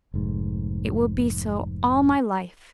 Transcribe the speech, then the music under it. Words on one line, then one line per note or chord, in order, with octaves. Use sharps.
It will be so all my life.
F1 G#2